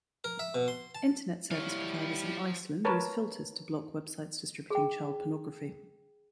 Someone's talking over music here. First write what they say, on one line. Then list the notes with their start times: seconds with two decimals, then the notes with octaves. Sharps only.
Internet service providers in Iceland use filters to block Web sites distributing child pornography.
0.24 A#4
0.39 E5
0.55 B2
0.68 C6
0.95 A5
1.51 F3 G3 E4 C#5 F5
2.85 A#4 B4 C#5 A5
4.70 G#4 G5